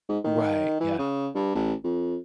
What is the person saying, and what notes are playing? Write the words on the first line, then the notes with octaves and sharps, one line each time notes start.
Right, yeah.
G#2
D#3
E3
C#3
G2
A1
F2